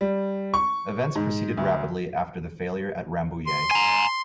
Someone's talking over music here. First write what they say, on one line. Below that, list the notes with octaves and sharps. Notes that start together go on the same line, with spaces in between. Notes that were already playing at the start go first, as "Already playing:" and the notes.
Events proceeded rapidly after the failure at Rambouillet.
G3
C#6
G#2
D2
C6
G#5 A#5